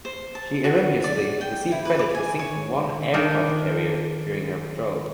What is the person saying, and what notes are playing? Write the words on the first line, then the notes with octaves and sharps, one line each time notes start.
She erroneously received credit for sinking one aircraft carrier during her patrol.
C5
A5
F#4
D5
G5
E4
B4
D6
G#5
C#5
D#3 D4